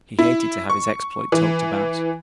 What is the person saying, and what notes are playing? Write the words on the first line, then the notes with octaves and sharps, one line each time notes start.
He hated to have his exploit talked about.
E4
C#6
E3